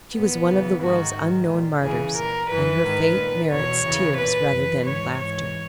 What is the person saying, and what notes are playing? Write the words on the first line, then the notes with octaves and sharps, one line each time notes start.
She was one of the world's unknown martyrs, and her fate merits tears rather than laughter.
A#2 B3
E2 C#3 E3
G#2 D#3 F#4
G#2 D#3
A#2
E2 C#3 E3 G#4
A#2 A#4
F#2 E3 B4
G#2 D#3
A#2
E2 B2 C#5
E2 C#3 E3
A#2 B4
F#2 E3
G#2 E3 C#5
G#2 E3 C#5